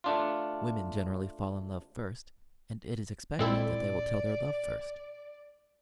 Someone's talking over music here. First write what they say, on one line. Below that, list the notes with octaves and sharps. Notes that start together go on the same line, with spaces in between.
Women generally fall in love first, and it is expected that they will tell their love first.
A3 D4 F4
A#2 G#3 C4 E4 A4 D5